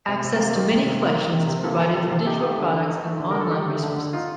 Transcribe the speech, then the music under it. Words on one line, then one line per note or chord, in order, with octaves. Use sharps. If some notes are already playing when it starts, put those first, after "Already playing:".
Access to many collections is provided through digital products and online resources.
C3
C3
A#4
A#3 C5
D#3
C3
C3
A#3
D#3
C3
C3
A#3 A4
D#3 A4
C3 A4
C3 F4
A4
D#4 G4
A3
D3
D3
D#4
A3
D3
A#4
D3 A4
D#4 G4
A3
D3
D3
D#4 F4